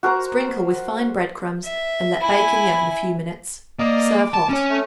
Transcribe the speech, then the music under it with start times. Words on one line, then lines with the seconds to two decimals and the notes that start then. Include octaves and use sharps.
Sprinkle with fine bread-crumbs and let bake in the oven a few minutes. Serve hot.
0.03 F#4 A#4 C5 A#5
1.64 E5
2.21 E4 G#5 B5
3.79 A#3 D5 D#5
4.17 D6
4.34 A5
4.49 C#4 C#5
4.69 A3